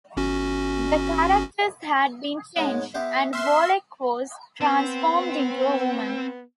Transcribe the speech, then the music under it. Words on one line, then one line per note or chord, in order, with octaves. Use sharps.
The characters had been changed, and Bolek was transformed into a woman.
G1 C#4 F#4
G#2 G#3 B3 C#5
B3 G4 C5 E5
C4 B4 E5 C6 F6
B3 C4